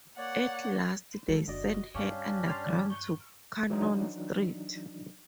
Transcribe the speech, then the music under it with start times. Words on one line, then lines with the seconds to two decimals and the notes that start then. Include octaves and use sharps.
At last they sent her underground to Cannon Street.
0.18 A#3 C#5 D5 F#5
1.28 D#3 F#3 G#3 A4
1.48 F#1 D3 F#4 D5 D#5
1.95 G2 C#4 D4 G4 C#5 F5
2.48 D5 A5 C6 F6
2.66 D#3 F3 G3
2.90 C#6 G6
3.70 E3 F#3 D4 D#4